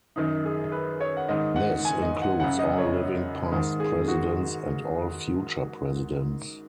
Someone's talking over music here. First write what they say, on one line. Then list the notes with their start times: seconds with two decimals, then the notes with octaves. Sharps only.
This includes all living past presidents and all future presidents.
0.16 F#2 D#3 D#4
0.45 G#4
0.72 B4
1.01 C#5
1.17 F#5
1.28 G#2 D#3 D#5
1.56 F#5
1.85 G#5
2.02 D#5
2.22 F#5
2.40 F#2 C#3 F#5
2.59 D#5
2.78 C#5
3.51 G#2 D#3
3.80 G#4
4.08 F#4